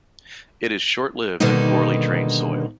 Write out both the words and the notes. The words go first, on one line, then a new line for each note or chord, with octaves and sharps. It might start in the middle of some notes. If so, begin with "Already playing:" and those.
It is short-lived in poorly drained soil.
B2 D3 D#3 G3 A#3 D#4